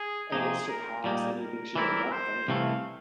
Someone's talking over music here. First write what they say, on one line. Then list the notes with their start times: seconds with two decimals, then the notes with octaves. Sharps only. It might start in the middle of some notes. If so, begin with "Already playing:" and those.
and it surpassed anything she'd ever done, I think.
Already playing: G#4
0.32 C3 F3 A#3 D#4 G#4
0.68 A#4
1.04 A#2 G3 A#3 D#4
1.40 A#4
1.76 E3 G3 C4 E4 A#4
2.12 C5
2.48 C2 C3 E3 A3 F5